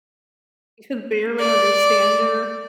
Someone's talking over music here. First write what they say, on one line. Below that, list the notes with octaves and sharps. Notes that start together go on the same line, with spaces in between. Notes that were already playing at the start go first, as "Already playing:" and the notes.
you could barely understand her,
D5